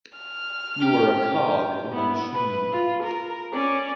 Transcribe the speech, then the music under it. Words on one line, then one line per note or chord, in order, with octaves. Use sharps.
You are a cog in the machine.
F6
G4
B3 E4
B4
F4
A#4
C#4 D5